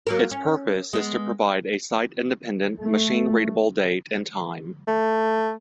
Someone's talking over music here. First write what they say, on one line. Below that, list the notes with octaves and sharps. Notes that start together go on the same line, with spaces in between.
Its purpose is to provide a site-independent, machine readable date and time.
F#3 A#3 A#4
C#4
G#3 B3
A3
A3